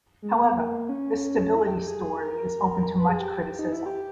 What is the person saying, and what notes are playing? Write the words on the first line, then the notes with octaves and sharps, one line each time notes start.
However, this stability story is open to much criticism.
G#3
A#3
B3
A#3
C#4
E4
G#4
G4
G4
G#4
A#4
B4
G#4
G4
D#4
E4
G4